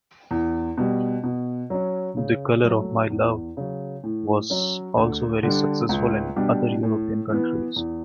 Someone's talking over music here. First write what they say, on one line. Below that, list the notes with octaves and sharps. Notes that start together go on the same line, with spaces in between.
"The Colour of My Love" was also very successful in other European countries.
E2
B2 G3
B2
F#3 C#4
C#3
F#3 A3
E2
C#3 F#3
A2
F#3 C#4
D2
D3 G3 D4
C#2
B2 G3 D4 G4
A2
E3 B3
E2